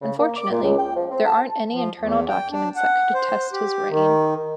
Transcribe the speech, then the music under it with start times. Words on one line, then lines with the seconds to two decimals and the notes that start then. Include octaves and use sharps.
Unfortunately, there aren't any internal documents that could attest his reign.
0.01 C#3
0.18 A#3
0.36 D6
0.50 A#2
0.62 C#2
0.77 G5
0.96 F3
1.10 C4
1.25 A5
1.71 F3
1.99 E2
2.28 G5
2.51 D4
2.76 F#5
3.14 C5
3.53 G4
3.89 D#3